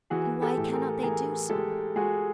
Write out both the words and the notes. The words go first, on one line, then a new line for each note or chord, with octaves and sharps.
And why cannot they do so?
E3 F#4 G#4
G4 A4
A2
G#4 A#4
E3 G#4 A#4
G#3 G4 A4
G#3 F#4 G#4